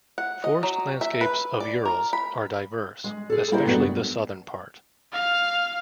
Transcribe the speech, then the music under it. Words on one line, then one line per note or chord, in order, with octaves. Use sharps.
Forest landscapes of Urals are diverse, especially the southern part.
F#5
D#5
F#3
E5
B4
D5
A#4
B5
G#3
G#4 A4
A#3 E4 G4 A#4 C5 D#5
G2 F#3 A3 B3
F5